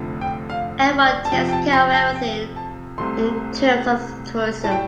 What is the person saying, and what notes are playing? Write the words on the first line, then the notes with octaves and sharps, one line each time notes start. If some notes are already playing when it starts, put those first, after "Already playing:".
Everyone takes care of everything in terms of tourism.
Already playing: F1 F2 D3 A3
G5
F5
D5
A5
F2 C3 F3 G5
G5
A5
C6
A5
G5
A5
C2 C3 A3 C6
A2 G3 A5
G5